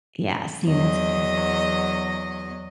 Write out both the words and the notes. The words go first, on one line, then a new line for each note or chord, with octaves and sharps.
Yeah, see? And that's great.
E2 F#3 D#5